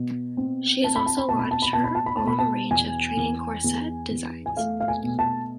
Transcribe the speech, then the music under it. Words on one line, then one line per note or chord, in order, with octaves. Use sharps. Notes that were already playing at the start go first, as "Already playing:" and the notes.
She has also launched her own range of Training Corset designs.
Already playing: B2
C4
C4 A5
B5
A5
B5
B2 A5
B5
A5
B5
B2 A5
B5
A5
B5
A5
B2 B5
A5
E2 G#5
E2
E2
E2
G#5
A3 F5
F5
G#5
B2
A5